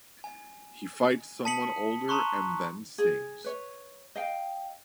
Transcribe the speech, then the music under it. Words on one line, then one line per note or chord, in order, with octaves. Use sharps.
He fights someone older and then sings.
G#5
A5 D#6 B6 C#7 F#7
A5 A#5 C6 C#6 F#6
G#4
B4 C#5
D#5 F5 G5